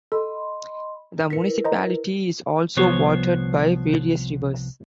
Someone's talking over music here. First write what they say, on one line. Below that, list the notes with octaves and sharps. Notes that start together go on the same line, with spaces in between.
The municipality is also watered by various rivers.
A4 D#5 B5 C6
E4 A#4 B4 B6 C#7
C5 D#5 A#5
C2 F3 B3 C5 C#5